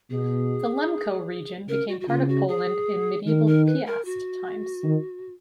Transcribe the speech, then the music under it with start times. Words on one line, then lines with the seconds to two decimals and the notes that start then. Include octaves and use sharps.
The Lemko region became part of Poland in medieval Piast times.
0.11 B2 G#4
1.68 C#3 A#4
1.88 F#4
2.01 F#4
2.08 C#3 F4
2.28 F#4
2.48 G#4
3.27 D#3 A#4
3.47 A#4
3.66 B4
3.86 A#4
4.05 F#4
4.84 D#3